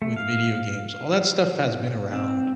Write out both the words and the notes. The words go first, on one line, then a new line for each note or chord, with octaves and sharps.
with video games, all that stuff has been around,
A3
F5
C4